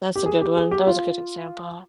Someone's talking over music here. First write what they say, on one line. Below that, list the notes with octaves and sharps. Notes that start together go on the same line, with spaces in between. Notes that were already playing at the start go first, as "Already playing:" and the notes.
that's a good one, that was a good example.
G4
G#4
G4
G#4
G4
F4